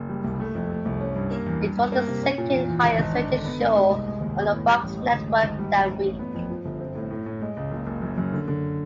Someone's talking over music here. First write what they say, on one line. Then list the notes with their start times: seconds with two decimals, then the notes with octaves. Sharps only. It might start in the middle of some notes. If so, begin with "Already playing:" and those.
It was the second highest rated show on the Fox network that week.
Already playing: F#1
0.09 G3
0.24 C2
0.40 A3
0.55 F2
0.70 A3
0.85 C2
1.00 C#4
1.16 G2
1.31 A#3
1.46 E2
1.61 G2
1.77 G2
1.92 A#3
2.07 C3
2.23 C#4
2.38 A#2
2.53 E2
2.68 E2
2.84 G#1
2.99 G#1
3.14 D4
3.29 D3
3.45 B3
3.60 G#2
3.75 G#3
3.90 C2
4.06 G#3
4.21 D#2
4.36 B3
4.51 A2
4.67 G3
4.82 A1
4.98 G#3
5.12 D2
5.27 G#3
5.43 G#1
5.58 G3
5.73 A#1
5.89 A1
6.04 A1
6.19 B3
6.34 F2
6.50 F3
6.65 G1
6.80 C4
6.95 A2
7.10 A2
7.26 A2
7.41 G#3
7.57 C#2
7.71 F#1
7.86 F#1
8.02 F#2
8.18 F#2
8.33 D3
8.48 D3